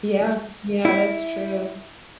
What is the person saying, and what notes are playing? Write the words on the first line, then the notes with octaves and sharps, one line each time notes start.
Yeah. Yeah, that's true.
E4